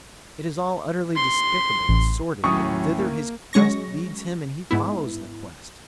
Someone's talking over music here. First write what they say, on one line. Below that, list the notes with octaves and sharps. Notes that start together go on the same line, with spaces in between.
It is all utterly despicable and sordid, but thither his quest leads him and he follows the quest.
C6
B6
A1
D#2 A2 F#3 C#4 C#6 D#6
A#3
F#3 G#3 C#4 C#6 A#6
G#2 B3 E4